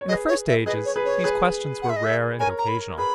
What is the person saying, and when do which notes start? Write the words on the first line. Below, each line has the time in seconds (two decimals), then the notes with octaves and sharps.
In the first ages these questions were rare and occasional.
0.01 C#5
0.08 G#4 B4 D#5
0.28 C#5
0.48 E5
0.66 G#4 B4 D#5
0.85 C#5
0.96 G#4 B4
1.05 C#5
1.24 G#4 B4
1.82 F#5
1.90 E5
1.96 D#5
2.04 E5
2.40 A#4 C#5 G#5
2.58 A#5
2.69 B5
2.98 G#4 B4 B5